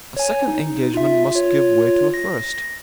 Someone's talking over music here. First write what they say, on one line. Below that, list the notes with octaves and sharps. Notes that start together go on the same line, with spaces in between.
A second engagement must give way to a first.
C#5 G#5
D#4
F4 E5
F4 C#5
A#6